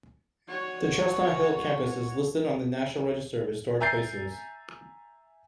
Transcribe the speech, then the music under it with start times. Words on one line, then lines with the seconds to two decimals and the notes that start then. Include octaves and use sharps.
The Chestnut Hill campus is listed on the National Register of Historic Places.
0.48 F#4 C#5
3.80 E5 G#5 A#5 G6 A6 C7